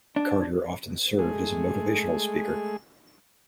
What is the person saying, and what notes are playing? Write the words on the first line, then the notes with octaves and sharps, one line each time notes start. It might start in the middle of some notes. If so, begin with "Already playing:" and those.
Carter often served as a motivational speaker.
D4
G#3 A3 G#4